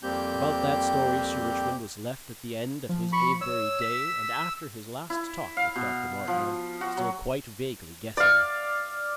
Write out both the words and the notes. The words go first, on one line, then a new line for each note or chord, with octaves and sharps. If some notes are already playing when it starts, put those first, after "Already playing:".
About that story Sir Richmond was left at the end of his Avebury day and after his last talk with Dr. Martineau, still quite vaguely guessing.
F2 G3 A#3 C4 G4 G6
F3
B5 C#6
C#5 E6
B6
E4
F5
B2
F3
F#4
F#3
D5 F5